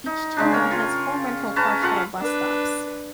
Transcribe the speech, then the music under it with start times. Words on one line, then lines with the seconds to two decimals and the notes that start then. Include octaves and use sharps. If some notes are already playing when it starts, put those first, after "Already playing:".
Each terminal has four rental car shuttle bus stops.
0.06 D#4
0.37 C#3 G#3 D4
0.51 A#4 C#5 G5
0.71 F4
1.56 C#4 B4 A5 A#5
1.82 F4 A4 F5 F#5
2.19 D4 B4